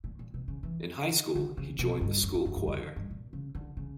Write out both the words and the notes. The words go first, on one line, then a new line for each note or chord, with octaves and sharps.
In high school, he joined the school choir.
A#2
A#2
B2
C#3
E3
D3
C#3
B2
G2
F#2
E2
F#2
G2
E2
G2
A#2
C#3
D3
C#3